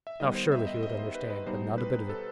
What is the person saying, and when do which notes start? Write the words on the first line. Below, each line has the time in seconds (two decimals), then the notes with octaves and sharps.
Now surely he would understand; but not a bit of it.
0.07 E5
0.20 D#3 G3 B3 D#5
0.35 C5
0.52 E5
0.67 D#5
0.83 D#5
0.99 C5
1.15 B4
1.30 B4
1.46 B2 G3 D#4 C5
1.78 B4
2.09 A4